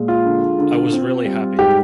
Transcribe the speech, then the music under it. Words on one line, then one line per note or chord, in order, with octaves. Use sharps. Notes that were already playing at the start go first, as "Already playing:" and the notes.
I was really happy.
Already playing: A#2 G#3
F4
D3
D3
C4
G3
G#2 G4